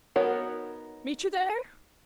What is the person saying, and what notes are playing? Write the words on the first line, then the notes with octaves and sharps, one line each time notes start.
Meet you there?
B3 D#4 F#4 A#4 C#5